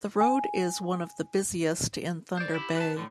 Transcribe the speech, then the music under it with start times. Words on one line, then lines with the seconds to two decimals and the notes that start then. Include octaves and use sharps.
The road is one of the busiest in Thunder Bay.
0.21 G#5
2.37 C5 D5
2.54 E4 G4
2.77 B4 A5
2.96 A2 D3